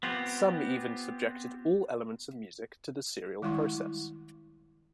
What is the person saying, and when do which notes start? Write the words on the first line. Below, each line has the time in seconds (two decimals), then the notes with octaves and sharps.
Some even subjected all elements of music to the serial process.
0.03 B3 C4 F4 G4
3.42 D#3 G3 G#3 E4 C6 C#6